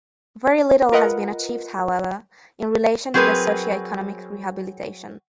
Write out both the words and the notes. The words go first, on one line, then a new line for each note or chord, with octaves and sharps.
Very little has been achieved however, in relation to the socio-economic rehabilitation.
F4 A#4 B4 D#5 F#5
F#3 C4 G#4 A#4 B4